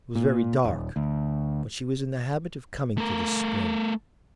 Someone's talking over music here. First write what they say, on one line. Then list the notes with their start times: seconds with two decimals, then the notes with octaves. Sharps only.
It was very dark, but she was in the habit of coming to this spring.
0.15 A#2
0.65 D#1
0.96 D2
2.98 A3 A#4